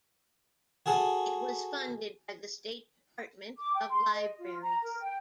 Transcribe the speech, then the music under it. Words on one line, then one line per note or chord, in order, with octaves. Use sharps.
It was funded by the State Department of Libraries.
F#4 G#4 A4
D6
G5
C6
D#5
F4
A#5
A#4
G5